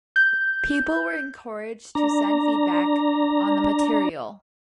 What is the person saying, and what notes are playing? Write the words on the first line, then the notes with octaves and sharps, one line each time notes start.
People were encouraged to send feedback on the material.
G6
D4 A#5